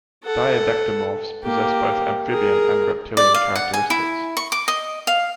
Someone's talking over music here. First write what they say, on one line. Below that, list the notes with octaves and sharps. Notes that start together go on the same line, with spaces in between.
Diadectomorphs possess both amphibian and reptilian characteristics.
A4 F#5
A#3 G4
G#4 A#4
D5
F5
F#5
G#5
E4
C#6
D6
D#5
F5